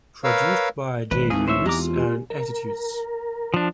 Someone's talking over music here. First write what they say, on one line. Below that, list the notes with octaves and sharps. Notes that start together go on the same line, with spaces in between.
Produced by Jay Lewis and Attitudes.
A#4 B4 C#5 F5 E6
G#1 B4
D2 E3 G#3 C4 D#4 G#4
C5 C#5 E5
E2 G#3 G4 A#5 D6
F4
G4 G#5
A#4
F3 D4